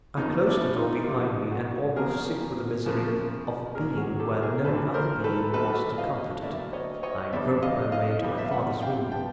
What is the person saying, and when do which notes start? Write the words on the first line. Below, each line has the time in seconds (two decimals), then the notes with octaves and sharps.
I closed the door behind me, and, almost sick with the misery of a being where no other being was to comfort it, I groped my way to my father's room.
0.17 E2 C#3 F3 A#3 D#4
0.47 D4 E4
0.76 D#4 F4
1.06 E2 C#3 F3 A#3 F4 G4
1.51 F#4 G#4
1.96 E2 C#3 F3 A#3 G#4 A#4
2.85 E2 C#3 F3 A#3
3.75 D2 D3 F#3 A#3 G#4 A#4
3.97 F#4 G#4
4.19 G4 A4
4.42 G#4 A#4
4.64 D2 D3 F#3 A#3 A4 B4
4.94 A#4 C5
5.24 A4 B4
5.53 D2 D3 F#3 A#3 A4 B4
5.98 D#5 F5
6.43 D2 D3 F#3 A#3 D5 E5
6.73 C#5 D#5
7.03 C#5 D#5
7.32 F2 D3 G3 B3 D5 E5
7.62 D#5 F5
7.92 D#5 F5
8.22 F2 D3 G3 B3
8.38 E5
8.45 F5
8.52 E5 F#5
8.82 F5 G5
9.12 D3 G3 B3 G5 A5